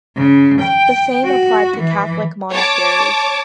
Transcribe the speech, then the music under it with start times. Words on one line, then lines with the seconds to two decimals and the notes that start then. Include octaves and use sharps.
The same applied to Catholic monasteries.
0.16 C#3
0.61 G5
1.24 F#4
1.78 E3
2.51 C#5 A5 D6